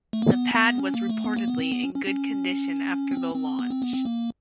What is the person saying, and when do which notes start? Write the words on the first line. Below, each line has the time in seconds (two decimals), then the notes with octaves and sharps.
The pad was reportedly in good condition after the launch.
0.13 A3
0.22 A#3
0.31 B3
0.55 B3
0.78 C#4
0.94 A#3
1.10 A3
1.24 B3
1.36 A#3
1.48 B3
1.60 C4
1.72 B3
1.84 C#4
1.95 C#4
2.06 C#4
3.11 C4
3.35 C4
3.59 B3
3.70 C4
3.82 B3
3.93 C4
4.05 A#3